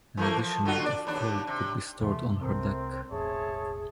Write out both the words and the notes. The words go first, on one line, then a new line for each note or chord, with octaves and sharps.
An additional of coal could be stored on her deck.
E3 A3 A#3
F3
D3 F4 F#4
D4 D5
D#2 D4
C3
E2 C3 E3 A3 C6
C2 C3 A3 C4 A#4
E1 A1 G#4 C#5 E5 A5